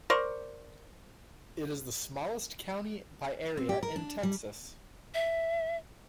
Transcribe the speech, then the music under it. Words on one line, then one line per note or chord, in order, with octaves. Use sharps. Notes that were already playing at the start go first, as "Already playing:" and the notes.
It is the smallest county by area in Texas.
A#4 C5 D5 C#6
C4
G4
A#4
D4
G3
E5